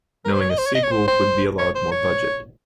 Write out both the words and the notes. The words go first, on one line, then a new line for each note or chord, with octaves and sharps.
Knowing a sequel, would be allowed more budget.
A#4
C5
C#5
D#5
C5
C#5
D#5
C#5
C5
C5
C#5
C5
C#5